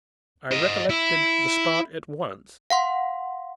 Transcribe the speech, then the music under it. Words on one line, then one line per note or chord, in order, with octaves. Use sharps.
I recollected the spot at once.
C5 D#5
E4
F5 F#5 C6